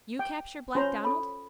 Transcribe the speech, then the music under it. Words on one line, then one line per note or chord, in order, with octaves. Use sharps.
You capture Black Donald!
G5
C#4 F4 C5 A#5
A4 B5